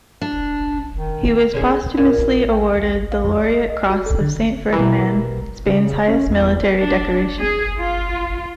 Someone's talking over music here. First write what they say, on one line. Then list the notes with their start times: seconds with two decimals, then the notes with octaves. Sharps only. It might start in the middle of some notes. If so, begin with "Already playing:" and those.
He was posthumously awarded the Laureate Cross of Saint Ferdinand, Spain's highest military decoration.
0.21 D4
0.97 D#3
1.53 D3 C#4 G#4
1.97 A#2
2.52 G5
2.75 D#2
2.94 G1
3.12 F5
3.24 F2
3.39 D5
3.54 D#5
3.70 D#5
3.90 F#4
4.06 A4
4.21 D3
4.73 B2 E3 G3 A#3
5.67 C#3
6.08 C#4
6.30 E2
6.79 D4
7.38 G#4
7.78 F4